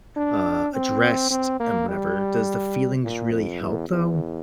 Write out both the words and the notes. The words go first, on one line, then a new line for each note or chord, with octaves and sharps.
uh, addressed and whatever, does the feelings really help though?
D4
C4
C4
A#3
G3
A#2
F2
E2
E2